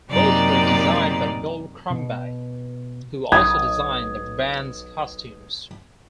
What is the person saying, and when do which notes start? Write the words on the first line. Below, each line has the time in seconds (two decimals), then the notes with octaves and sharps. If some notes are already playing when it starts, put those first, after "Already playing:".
Both were designed by Noel Crombie, who also designed the band's costumes.
0.11 F#2 C3 A#3 D#4 D5
1.90 B2
3.32 B1 D#6 G#6